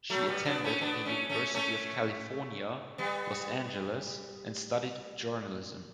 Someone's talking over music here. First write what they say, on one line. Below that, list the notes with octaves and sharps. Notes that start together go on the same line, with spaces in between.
She attended the University of California, Los Angeles, and studied Journalism.
F#3 A3
G3 B3
B3 D4
A3 C#4
B3 D4
A3 C#4
A3 C#4
A3 C#4
G3 B3